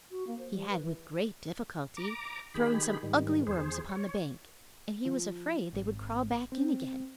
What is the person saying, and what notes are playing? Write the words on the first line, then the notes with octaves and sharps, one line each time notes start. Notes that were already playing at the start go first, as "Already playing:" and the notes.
He had, with great difficulty, thrown some ugly worms upon the bank and he was afraid they would crawl back in again.
F#4
A#3
C5
G3
B4
E3
A#5 D6
D#3 G4 G#4 B5
G#2 D#3 G3
E2 G#4 C5
C#5
F3
G#1
C4